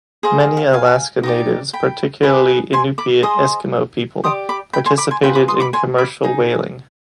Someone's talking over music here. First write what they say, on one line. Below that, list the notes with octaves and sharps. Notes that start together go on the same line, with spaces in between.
Many Alaska Natives, particularly Inupiat Eskimo people, participated in commercial whaling.
G#4 C5 D#5 F5
F5
F5
F5 G#5
D#4 G4 D5
G5 B5
G#4 B4 D#5
G#5 C6
B5 D6
G#4 C5 D#5 C6 D#6
G4 D5 C6 D#6
B5 D6
G5 B5
G#5 C6
B5 D6
G#5 C6
F4 G#4 B4 G5 B5
B5 D6
C6 D#6
B5 D6
G#5 C6
B5 D6
D#4 G#4